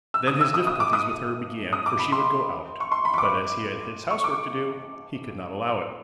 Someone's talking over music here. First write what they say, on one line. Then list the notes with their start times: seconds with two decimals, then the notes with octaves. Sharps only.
Then his difficulties with her began for she would go out, but as he had his housework to do, he could not allow it.
0.14 E6
0.27 D#6
0.41 E6
0.54 D#6
0.67 D#6
0.80 D6
0.93 D#6
1.73 D#6
1.86 D6
1.99 B5
2.12 C6
2.80 C#6
2.92 C6
3.05 B5
3.14 C#6
3.18 D6
4.11 C#6
4.24 D6